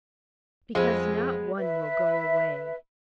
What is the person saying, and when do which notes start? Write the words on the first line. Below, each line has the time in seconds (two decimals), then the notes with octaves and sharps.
"Because not one will go away."
0.75 F2 G#3 B3
1.57 B4 E5